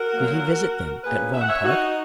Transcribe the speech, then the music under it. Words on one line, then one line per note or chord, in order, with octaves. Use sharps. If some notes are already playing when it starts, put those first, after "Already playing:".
"Did he visit then at Vaughan Park?"
Already playing: F#4 A#4
A#2 F#3 A#3
A#2 A#3 C#4 G#4 B4
E5
F#5
C#5 E5
D#4 F#4